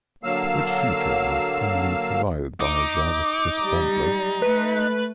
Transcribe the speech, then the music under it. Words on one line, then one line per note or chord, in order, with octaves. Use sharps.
Which feature is commonly provided by JavaScript bundlers?
D3 F#3 A#3 F5 E6
D#4 D6
G3
A3 B4